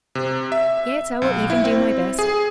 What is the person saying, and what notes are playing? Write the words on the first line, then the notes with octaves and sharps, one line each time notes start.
"Yet I will even do my best."
C3
E5
B1
E4
C4
G#4